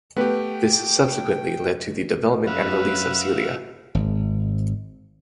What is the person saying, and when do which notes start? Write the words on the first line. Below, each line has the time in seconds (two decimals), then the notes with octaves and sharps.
This subsequently led to the development and release of Celia.
0.17 A3 B3 G4 B4 G5
2.47 F#2 F#4 B4 E5 F5
3.95 G#1